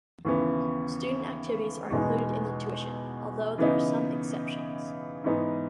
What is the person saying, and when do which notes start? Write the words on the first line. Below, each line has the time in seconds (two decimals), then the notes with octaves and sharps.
Student activities are included in the tuition, although there are some exceptions.
0.25 D#2 C#3 E3 B3
1.91 E2 B2 G#3 B3 D#4
3.58 C#3 E3 B3 D#4
5.24 G#2 E3 B3 D#4